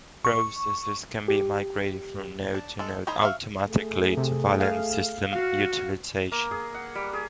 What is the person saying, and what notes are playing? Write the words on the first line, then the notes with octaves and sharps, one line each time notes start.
Processes can be migrated from node to node automatically to balance system utilization.
C#6
G4
D4
G#3 A4
D#4 G#4 C5 A#5 B5
F#4 E5 F5
A3 G#4
C3
F5
F#4 F5
A#3
G#4
F#5
G3
G#4